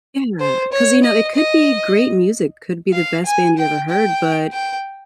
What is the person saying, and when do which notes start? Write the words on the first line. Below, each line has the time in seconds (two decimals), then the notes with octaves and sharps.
Yeah, 'cause, you know, it could be great music, could be the best band you ever heard. But
0.40 C5
0.73 C#5
1.04 D#5
1.35 D#5
2.93 F5
3.25 G#5
3.58 G5
3.89 G5
4.53 G5